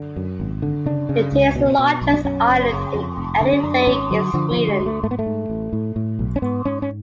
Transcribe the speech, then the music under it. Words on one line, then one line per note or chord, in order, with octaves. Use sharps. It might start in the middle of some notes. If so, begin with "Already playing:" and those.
It is the largest island in any lake in Sweden.
Already playing: D3
F#2
G#1
D3
C#3 D4
C#3
C#2
B2
B2
B1
D4
F#2 C#4
F#1
C#3
F2
F1
D3
C#4
F#2 D4
G#1 C#4
D3 F#3
D3 F3
F3
D3
G#3
D2
A3
G#2 A3
B3
A3
G#2
A1
A2
A2
B1
C#4
G#2 B3
G#2 C#4
C#4